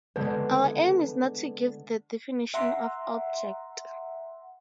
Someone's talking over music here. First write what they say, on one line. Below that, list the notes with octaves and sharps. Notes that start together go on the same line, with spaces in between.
Our aim is not to give the definition of "object".
D3 G#3 B3 B4
E5 F#5 A#5 C6